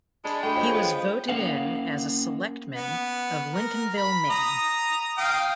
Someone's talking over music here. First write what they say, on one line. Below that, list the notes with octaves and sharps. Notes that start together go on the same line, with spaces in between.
He was voted in as a selectmen of Lincolnville, Maine.
G#3 D4 B4
A3 D4 F#4 G#4 G5
F3 C5 C#5 D#5
B3
A#3 C#4 A#4 F5 F#5
B3
A#4
B5
A#5 D#6
F5 G5 D#6